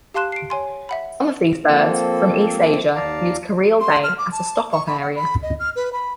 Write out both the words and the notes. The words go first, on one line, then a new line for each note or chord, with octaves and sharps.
Some of these birds, from East-Asia, use Careel Bay as a stop off area.
G4 F5 A5 C6 F#6 E7
C7 D7
C#5 G#5 C6
E5 F#5 B5
F3 A#3 C4 A4
D#2 D5 F5 A5 A#5
C6
F6
D6
A5
C#6
B5
F#5
B5
D#5
F6
B4
B5